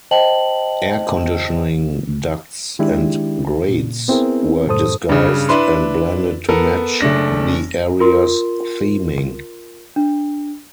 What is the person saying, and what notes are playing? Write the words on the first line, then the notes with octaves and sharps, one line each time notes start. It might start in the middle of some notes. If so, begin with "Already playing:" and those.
Air conditioning ducts and grates were disguised and blended to match the area's theming.
C5 D#5 G5 A5 F#7
D#3 G#3 D4 E4 G4
A#2
B3 C4 E4 G#4 A#4
F#2 A2 A4 C5 D#6
G2 C#3
D4 E4 B4 C6
B3 A4 A#4
F#1 A3 D4 A#6
F4 A#4 C6
D4